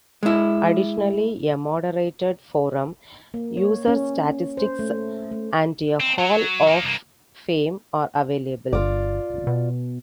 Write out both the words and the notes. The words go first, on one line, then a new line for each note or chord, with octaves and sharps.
Additionally, a moderated forum, user statistics, and a hall-of-fame are available.
G#3 E4
A#3
C#5
C#4
C5
A3
A3
C4
F#3
A#3 D#4
C2 A#3
G1 F4 D5
B2